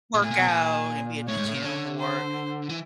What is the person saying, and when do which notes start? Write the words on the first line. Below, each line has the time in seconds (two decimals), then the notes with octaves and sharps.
work out and be at the gym more,
0.15 A#2
0.22 A2 G#4
0.31 A#2
0.39 B2
0.48 A#2
1.28 A2 C#5
1.37 G#2
1.46 A2
1.55 A#2
1.63 D3 C#5
1.99 C5
2.69 E3